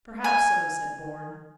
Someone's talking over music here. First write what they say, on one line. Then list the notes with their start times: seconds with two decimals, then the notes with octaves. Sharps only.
"Perhaps so," said Bourne.
0.24 G#5